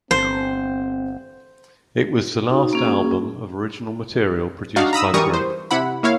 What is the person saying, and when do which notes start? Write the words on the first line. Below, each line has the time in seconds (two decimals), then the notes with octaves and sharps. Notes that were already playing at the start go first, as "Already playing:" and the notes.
It was the last album of original material produced by the group.
0.11 G1 C4 C5
2.50 D#4 F#4
2.73 A#3 C#4 G#4
4.76 D4 D#4 F#4 F5
4.93 A#5 B5 D#6 E6
5.14 E3 G3 A#4 C#6 D#6
5.34 C5
5.71 C3 E4 F#5 B5
6.03 A#3 E4 C#5 F5